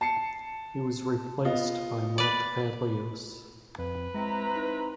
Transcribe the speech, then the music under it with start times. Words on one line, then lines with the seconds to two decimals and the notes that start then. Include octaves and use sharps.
He was replaced by Mark Palios.
0.01 A5 C7 C#7
1.45 B3 F4 D#5
2.18 B4 D5
3.79 F2 B4
4.14 G#3 C4 E4 A#5
4.56 D#4